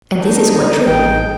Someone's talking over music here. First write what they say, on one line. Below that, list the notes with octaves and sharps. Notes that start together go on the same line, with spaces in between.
And this is quite true.
D4 D#4
A1 B2 G#3 G5